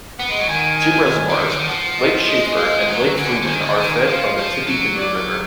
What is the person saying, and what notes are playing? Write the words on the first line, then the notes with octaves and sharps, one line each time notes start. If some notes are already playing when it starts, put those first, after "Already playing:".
Two reservoirs, Lake Shafer and Lake Freeman, are fed by the Tippecanoe River.
B3 F#5
G#3
F#3
D#3 G#5
G#5
D3
D#3
D3
D#3
F3 F#5
D#5
G#3 D#5
G#3 F5
F#3 F#5
D3 G#5
D3
D#3 G#5
D3
D#3 G#5
F3 F5
F3
F#3
D5